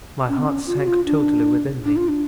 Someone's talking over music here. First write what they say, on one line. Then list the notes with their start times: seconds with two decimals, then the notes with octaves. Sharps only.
My heart sank totally within me.
0.29 C#4
0.37 B3
0.45 C#4
0.67 F4
0.77 F#4
0.87 F4
1.06 D4
1.85 D4
1.96 F4
2.08 D4